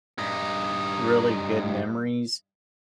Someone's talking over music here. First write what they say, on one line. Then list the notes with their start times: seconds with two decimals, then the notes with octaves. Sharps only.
really good memories,
0.19 G2 D#4